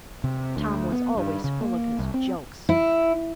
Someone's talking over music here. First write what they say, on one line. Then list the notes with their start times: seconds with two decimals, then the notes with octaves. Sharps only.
Tom was always full of his jokes.
0.24 C3
0.57 D2
0.92 B3
1.17 G2
1.44 C#3
1.61 A#3
1.99 C2
2.14 C4
2.69 E4